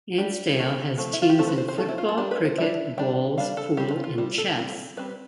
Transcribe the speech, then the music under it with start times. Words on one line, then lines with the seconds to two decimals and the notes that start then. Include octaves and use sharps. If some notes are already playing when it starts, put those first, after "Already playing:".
Ainsdale has teams in football, cricket, bowls, pool and chess.
0.18 G3 D4 G4
0.59 F3 A3 C4
0.98 F3 A3 C4
1.13 E4
1.22 F4
1.30 G4
1.38 F3 A3 C4 A4
1.48 B4
1.58 C5
1.68 C5
1.78 F3 A3 C4 A4
1.89 E4
1.98 F4
2.09 A4
2.17 G3 D4 G4
2.31 B4
2.45 C5
2.58 G3 D4 E5
2.98 G3 D4 G5
3.38 G3 D4 F5
3.57 A4
3.77 G3 C4 G4
3.91 F4
4.04 F4
4.18 G3 C4
4.38 A4
4.58 G3 C4
4.97 G3 C4 B4